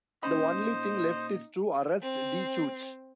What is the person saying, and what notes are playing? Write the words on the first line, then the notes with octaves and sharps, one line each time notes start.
The only thing left is to arrest DeChooch.
A#2 C#4 D#4 C5 B5
C4